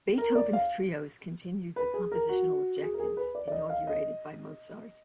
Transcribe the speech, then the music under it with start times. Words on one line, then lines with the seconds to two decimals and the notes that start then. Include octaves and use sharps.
Beethoven's trios continued the compositional objectives inaugurated by Mozart.
0.18 A#4
0.35 D5
0.53 F5
1.76 B4
1.94 G#4
2.12 A#4
2.29 F#4
2.82 G#4
2.94 A#4
3.00 G#4
3.17 B4
3.35 D5
3.48 D5
3.52 D#5
3.70 F5
3.87 D#5